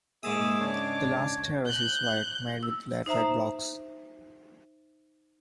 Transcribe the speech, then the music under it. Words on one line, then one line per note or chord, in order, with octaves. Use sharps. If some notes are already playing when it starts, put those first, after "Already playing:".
The last terrace is wide, made with laterite blocks.
G#2 G#3 A#3 G#4 E5 A5 D6 D#6
C#3 D4 C#5
F#6 G6
E6
D#4 C5 E5 A#5